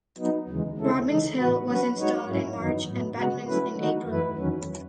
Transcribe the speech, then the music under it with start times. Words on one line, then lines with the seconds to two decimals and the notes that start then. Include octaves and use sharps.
Robin's hill was installed in March and Batman's in April.
0.18 F#3 B3 D#4
0.49 D#2 C#3 E3 G#3
0.78 C#3 G#3 C#4 E4 A4
1.08 C#3 E3 G#3 D#4
1.38 A2 E3 B3 F#4 B4
1.67 F#3 C#4 F#4 B4
1.98 G#3 D#4 F#4 C#5
2.28 G#2 F#3 C#4 E4
2.58 F#2 D#3 F#3 B3 D#4
2.88 A2 F#3 B3
3.17 C#3 G#3 B3 F#4
3.47 F#3 A3 C#4 E4 B4
3.78 D#3 A3 D#4 F#4
4.08 F#2 E3 A3 E4 B4
4.37 E2 D#3 F#3 C#4